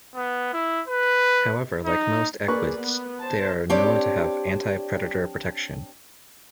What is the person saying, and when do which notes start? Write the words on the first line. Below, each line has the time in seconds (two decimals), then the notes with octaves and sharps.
However, like most equids, they are known to have anti-predator protection.
0.15 B3
0.53 E4
0.88 B4
1.85 D#4
2.48 A#3 G#4 B4 D5 C#6
2.80 B3
3.22 C5 A5
3.70 C4 D4 G4 C#5 D5